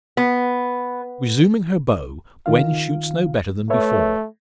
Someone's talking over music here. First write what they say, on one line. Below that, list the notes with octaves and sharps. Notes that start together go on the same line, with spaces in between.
Resuming her bow, Gwen shoots no better than before.
B3
D#3 F4 F5
A3 B4 C#5 E5